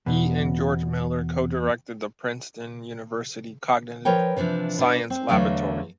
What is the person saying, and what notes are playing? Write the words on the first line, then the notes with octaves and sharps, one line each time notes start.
He and George Miller co-directed the Princeton University Cognitive Science Laboratory.
E2 B2
F3 A#4 B4 C#5 G5
C3 E3 F3 D4
B2 D4
C4
E2 D3 F3 F#3 A3 F5